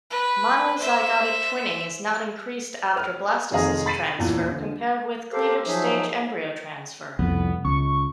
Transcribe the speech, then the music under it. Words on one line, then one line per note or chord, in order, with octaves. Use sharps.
Monozygotic twinning is not increased after blastocyst transfer compared with cleavage-stage embryo transfer.
B4
C5 E5
B4 F6
F1 F2 D#3 G#4 D#5 A#5
B5 A6 B6 C7 D#7 F#7
D#1 E2 E3 F4
D3
G4 A4 A#4 C5 F5
F3 F#3 D#4 G#4 E5
C2 F2 B3
C#2 C#6